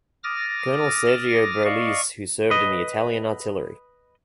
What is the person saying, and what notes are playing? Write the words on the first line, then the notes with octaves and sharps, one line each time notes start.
Colonel Sergio Berlese who served in the Italian artillery.
D6 D#6 F6 A6 A#6
D5 D#5 F5 C#6
B4 D#5